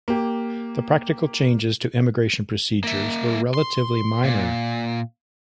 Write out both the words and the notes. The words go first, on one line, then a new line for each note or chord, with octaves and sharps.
The practical changes to immigration procedures were relatively minor.
A#3 G4
A#3 E5
C6
A#2